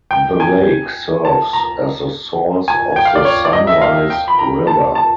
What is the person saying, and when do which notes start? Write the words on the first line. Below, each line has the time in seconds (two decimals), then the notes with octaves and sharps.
The lake serves as the source of the Sunrise River.
0.11 G5
0.40 G#5
1.25 A5
1.53 A#5
2.68 G#5
2.96 G5
3.05 F5
3.15 D5
3.25 C#5
3.45 D5
3.53 D#5
3.67 E5
3.82 F5
4.10 G5
4.28 B5
4.39 A#5
4.67 A5
4.95 A5